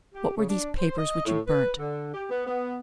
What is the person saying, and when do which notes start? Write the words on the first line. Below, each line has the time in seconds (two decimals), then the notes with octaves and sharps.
"What were these papers which you burnt?"
0.13 G4
0.37 C#3
0.49 D4
0.77 C5
0.98 D#5
1.25 A2
1.48 B4
1.78 D3
2.14 G4
2.30 B3
2.47 B3